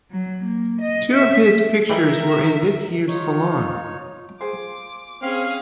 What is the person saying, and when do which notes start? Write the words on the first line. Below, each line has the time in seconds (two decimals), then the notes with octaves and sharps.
Two of his pictures were in this year's Salon.
0.11 F#3
0.44 A#3
0.81 D#5
1.14 E5
1.90 E3 G3 G#3 A#4 E5
3.08 D#4 F4 C#5
4.41 F4 G#4 C5 D6
5.22 C4 C#4 G#4 F5